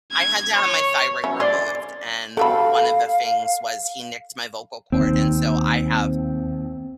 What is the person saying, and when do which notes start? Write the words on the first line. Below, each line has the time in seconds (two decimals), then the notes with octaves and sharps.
I had to have my thyroid removed. And one of the things was he nicked my vocal cord, and so I have,
0.12 G#6
0.56 C#5
1.24 F#3 C#4 E4
1.40 G#4 D5 C6
2.37 F#4 G4 A4 F5 B5
4.92 D#2 C4